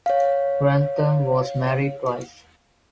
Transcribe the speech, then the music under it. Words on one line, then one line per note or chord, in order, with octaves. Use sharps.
Grantham was married twice.
C#5 F5